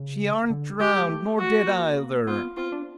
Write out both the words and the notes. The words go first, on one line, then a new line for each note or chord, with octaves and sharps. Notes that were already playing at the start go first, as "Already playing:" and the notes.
She arn't drowned; nor dead eyther!
Already playing: C#3
D3
G#3 G4
A3
F#4
A#3
B3 F4
C4 F4
D4